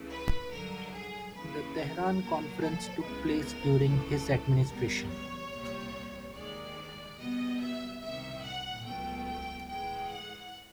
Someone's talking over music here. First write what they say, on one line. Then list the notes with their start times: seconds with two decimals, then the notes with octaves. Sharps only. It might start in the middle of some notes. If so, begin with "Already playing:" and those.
The Tehran Conference took place during his administration.
Already playing: C#2 C#3 E3 A3
0.09 B4
0.51 G2 D3 F#3 A#4
0.92 G#4
1.34 D#2 C#3 E3 B4
1.76 A#4
2.18 A#2 F#3 A#3
2.59 A4
3.01 C#2 C#3 E3 G#3 B3 B4
3.42 A#4
3.84 C#2 C#3 E3 A3 A4
4.68 C#2 B2 G3 B3 A#4
5.09 C#5
5.51 C2 A#2 G3
6.34 D#2 D#3 G#3 D5
7.18 B2 G3 B3 D#5
7.59 E5
8.00 C2 C3 D#3 E5
8.43 F#5
8.84 C#2 B2 F#3 A3 G5
9.26 G5
9.67 A2 E3 G#3 G5
10.09 F#5